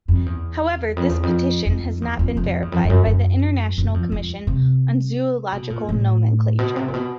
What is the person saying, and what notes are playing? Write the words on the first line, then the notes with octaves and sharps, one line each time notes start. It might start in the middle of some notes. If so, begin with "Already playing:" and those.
However, this petition has not been verified by the International Commission on Zoological Nomenclature.
F2
E2
F2
E2
F2
F2
E2
F2
F2
E2
F2
F2
F#2
F#2
F#2
F2
F2
C3
B2
A#2
A2
B2
C3
A#2
B2